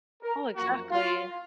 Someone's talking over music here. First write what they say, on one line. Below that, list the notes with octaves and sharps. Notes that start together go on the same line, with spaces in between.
Oh, exactly.
A#4
F#2 F3 A#3 F#4
F4